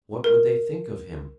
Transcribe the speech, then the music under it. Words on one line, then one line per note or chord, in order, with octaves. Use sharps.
What would they think of him?
A#4